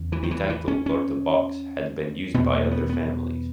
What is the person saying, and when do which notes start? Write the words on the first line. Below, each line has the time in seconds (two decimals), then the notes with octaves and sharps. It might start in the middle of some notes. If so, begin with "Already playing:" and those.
The title "Lord of Baux" had been used by other families.
Already playing: E2 C#3
0.12 E3
0.23 D#3
0.31 E3
0.50 E3
0.68 C#4
0.86 C#4
2.34 E2 B2 B3
2.53 A#3
2.71 B3
2.89 B3